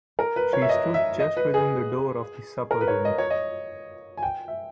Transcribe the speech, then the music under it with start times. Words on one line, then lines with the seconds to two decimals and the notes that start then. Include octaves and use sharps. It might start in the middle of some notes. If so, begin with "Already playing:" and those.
She stood just within the door of the supper-room.
0.19 A#4
0.36 B4
0.53 C#5
0.62 E5
0.69 D#5
0.94 E5
1.20 D#5
1.37 B4
1.54 G#4
2.71 A#4
2.81 B4
2.88 C#5
3.05 D#5
3.18 C#5
3.30 D#5
4.17 G#5
4.23 G5
4.48 E5